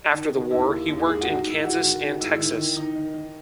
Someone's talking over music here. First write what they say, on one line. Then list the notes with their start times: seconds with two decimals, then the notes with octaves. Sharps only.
After the war, he worked in Kansas and Texas.
0.13 D#3
0.31 D#3
0.50 D#2 E4
0.69 D#2
0.88 D#2
1.06 G#2 G#4
1.21 F#4
1.26 D#3
1.35 D#4
1.44 G#2 E4
1.63 G#2 F#4
1.82 D#3
2.01 D#3
2.19 G#2 E4
2.38 D#3
2.57 D#3
2.76 D#3 D#4
2.95 D#3
3.14 D#3